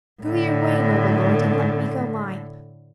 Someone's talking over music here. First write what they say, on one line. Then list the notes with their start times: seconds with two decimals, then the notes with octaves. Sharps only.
'Go your way, noble lord, and let me go mine.
0.23 A2 D3